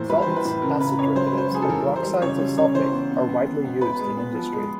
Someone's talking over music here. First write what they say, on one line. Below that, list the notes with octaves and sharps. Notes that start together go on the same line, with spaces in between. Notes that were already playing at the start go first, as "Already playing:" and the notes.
Salts, acid derivatives, and peroxides of sulfate are widely used in industry.
Already playing: A2 E3 A#3 C5
G3 B4
E3 C5
B4
A2
C#3 A#4
C#3 B4
C#3 C#5
F#3 C5
B4
F#3 C5
F#3 G#4
A4
E3 A#4
G3
C5
G3
C#3 C#5
G3
C#3 C#5
E3 C5
B3
B3
B3
B3
B3
B3 B4
G#3
B3
F3
G#3